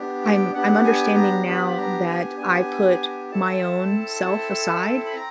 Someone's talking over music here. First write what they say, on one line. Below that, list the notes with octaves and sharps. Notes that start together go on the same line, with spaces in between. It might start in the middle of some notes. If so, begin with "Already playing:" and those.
I'm I'm understanding now that I put my own self aside
Already playing: B3 D4 G4
G5
B3 D4 G4 F#5
G#5
A#5
B3 D4 G4 B5
B5
A#5
G#5
B3 D4 G4 G#5
C4 E4 A4 A5
C4 E4 A4
B5
C4 A#5